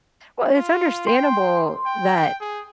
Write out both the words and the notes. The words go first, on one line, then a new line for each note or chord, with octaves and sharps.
Well, it's understandable that,
F4
G5 C6
G5
G#4